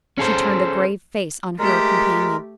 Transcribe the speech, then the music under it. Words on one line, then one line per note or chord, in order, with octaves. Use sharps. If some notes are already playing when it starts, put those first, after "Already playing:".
She turned a grave face on her companion.
C#4 G#4 A4 C5
G#3 A3 G4 A#4